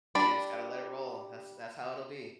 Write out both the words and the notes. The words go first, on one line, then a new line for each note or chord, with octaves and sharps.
Yeah, just gotta let it roll. That's that's how it'll be.
G3 D4 D5 B5